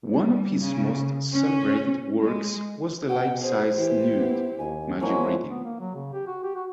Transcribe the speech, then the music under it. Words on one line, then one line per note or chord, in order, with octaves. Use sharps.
One of his most celebrated works was the life-size nude, "Maggie Reading".
G3
C#3
C#4
G#3
B2 F#5 G5
G#4 C5
E3 E4 G4
B3
D#2 G#5
F3 F#3 G#3 A#3 E4 G#5
B3
A#3
F#3
C#3
G4
F#4
G4
F#4